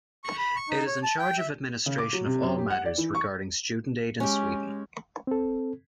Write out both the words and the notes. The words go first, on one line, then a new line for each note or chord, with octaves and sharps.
It is in charge of administration of all matters regarding student aid in Sweden.
C#6
B5
C#6
D#4
C#5
A5
G5
E5
C#3
D6
F#3
C3
F#2
G4
F#5
D5
E3
C#6
G#3 C#4 G4
C4 A4